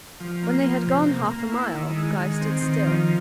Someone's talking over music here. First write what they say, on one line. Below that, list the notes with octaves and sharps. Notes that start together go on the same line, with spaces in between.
When they had gone half a mile, Guy stood still.
F3
A#3
F3
C3
A#3
A#3
E4
D#3
G#3
D#3
C4
D#3
F3